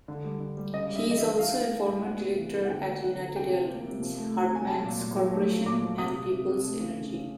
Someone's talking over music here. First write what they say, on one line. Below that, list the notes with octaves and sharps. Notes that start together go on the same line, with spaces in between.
He is also a former director at United Airlines, Hartmarx Corporation and Peoples Energy.
D3
G3
D3
G3
C#3 D#5
G3
E5
E3 D#5
E5
E3
E3 F5
A3
A3
A2
B3 F#5
C3
E3
B3
F#5
D3 G5
B3
D3 F#5
D3
C3 G5
F3
A#3
C3
F3
A3
A3
C3 G#5
F#3 A5
A#2
A#2
F#3
A3
F3
A#2 D6
F3
C3 D#6
C3
C3
C3
A3
C#3
C#3
C#3